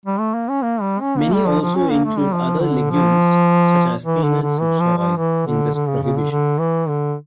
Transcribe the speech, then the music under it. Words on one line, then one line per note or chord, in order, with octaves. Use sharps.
Many also include other legumes, such as peanuts and soy, in this prohibition.
G3
A3
A#3
C#4
A#3
G3
C#4
A#3
G3
F3
F3
C#4
A#3
A3
G3
F3
D3
F3
E3
D3
D3
E3
F3
F3
E3
D3
D3
C#3
C#3
D3
D3
E3
D3